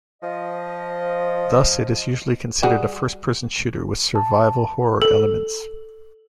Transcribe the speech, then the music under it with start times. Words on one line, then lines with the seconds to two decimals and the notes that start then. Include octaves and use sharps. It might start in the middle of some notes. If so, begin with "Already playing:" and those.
Thus, it is usually considered a first-person shooter with survival horror elements.
0.22 F3 D#5
2.63 G3 F#4 G#4
4.15 A5
5.02 A4